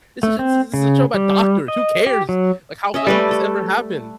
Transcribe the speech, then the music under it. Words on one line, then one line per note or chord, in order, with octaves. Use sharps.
This is this is this is a show about doctors. Who cares? Like, how the hell did this ever happen?"
A3
C4
C#3
G3
D#5
G4
F#3
C#4 D#5 E5
G3 A3 B4 D5
A4